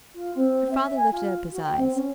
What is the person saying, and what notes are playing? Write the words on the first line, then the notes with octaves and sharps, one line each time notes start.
Her father lifted up his eyes.
F4
C4
E5
G#5
F4
F#4
G5
C4
C#4